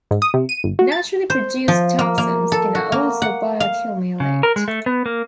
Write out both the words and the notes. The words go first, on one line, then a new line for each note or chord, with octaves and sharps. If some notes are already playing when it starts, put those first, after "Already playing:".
Naturally produced toxins can also bioaccumulate.
G#2
D#6
C3
D#7
G1
F#4
A6
C5
F3
A#3
A#3
A4
F#4
A#3
F#5
F5
C#3
A#4
G#3
A3
B3
A#3